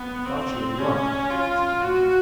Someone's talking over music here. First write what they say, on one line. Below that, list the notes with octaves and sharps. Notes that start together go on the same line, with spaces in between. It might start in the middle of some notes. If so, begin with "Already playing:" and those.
I thought she would run, but she did not.
Already playing: B3
C4
C#4
F4
F#4